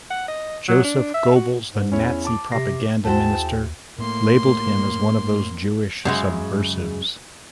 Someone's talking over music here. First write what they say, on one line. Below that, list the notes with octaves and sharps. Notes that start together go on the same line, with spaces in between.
Joseph Goebbels, the Nazi propaganda minister, labelled him as one of those Jewish subversives.
F#5
D#5
F#3
D4
E5
F#4
G#2
E2 C#4 E4 C#5
A5 D6
C3 A#6 C7
D#2 E4 F#4 G#4 C5 G5 A5
A2 A3 A#3 C6
F#2 C#3 G#3